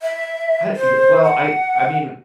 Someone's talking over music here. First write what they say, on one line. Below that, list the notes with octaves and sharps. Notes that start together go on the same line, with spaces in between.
I y well, I I mean,
E5
C5
F#5